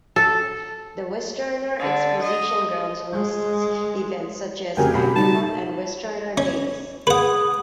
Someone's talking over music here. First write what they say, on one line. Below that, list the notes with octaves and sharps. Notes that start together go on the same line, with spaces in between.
The Westerner Exposition Grounds hosts events such as Agricon and Westerner Days.
A4
D3
D#5
G#3
F1 C#3 F#4 G4 A#4 G5 G#5
B2 F#3 B5
G3 D#4 F#4 A5
C#4
G#4 B4 F#5 D#6